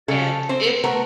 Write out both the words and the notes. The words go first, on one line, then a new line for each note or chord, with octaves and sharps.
and if
C#3 A4
C4 C5
A3 B3 A#4